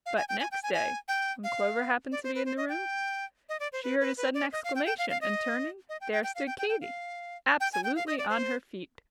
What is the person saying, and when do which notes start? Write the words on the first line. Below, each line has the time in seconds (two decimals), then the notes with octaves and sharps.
But next day, when Clover happened to be in the room, she heard a sudden exclamation, and turning, there stood Katy, absolutely on her feet.
0.06 F5
0.17 G#5
0.29 G5
0.40 G#5
0.52 G5
0.63 G#5
0.74 G#5
1.08 G5
1.44 F5
2.12 D5
2.24 C5
2.35 B4
2.45 C5
2.57 D#5
2.69 G5
3.49 D#5
3.60 D5
3.72 C5
3.83 B4
4.00 B4
4.17 B4
4.34 D5
4.52 D#5
4.64 F5
4.75 G5
4.86 G5
4.98 F5
5.10 F5
5.21 D#5
5.89 D#5
6.01 G5
6.12 G5
6.24 G5
6.35 F5
6.46 G5
6.58 G5
6.69 G5
6.81 F5
7.60 G5
7.73 G#5
7.84 G5
7.96 F5
8.07 D#5
8.18 D5
8.29 C5